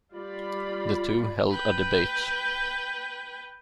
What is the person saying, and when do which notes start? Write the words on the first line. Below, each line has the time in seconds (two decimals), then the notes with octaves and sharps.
The two held a debate.
0.13 G3 F4 D5 B5
1.50 B4 G5